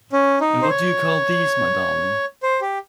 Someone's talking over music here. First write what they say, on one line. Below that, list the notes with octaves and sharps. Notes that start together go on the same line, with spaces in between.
And what do you call these, my darling?
C#4
D#4
C5
C#5
C5
G4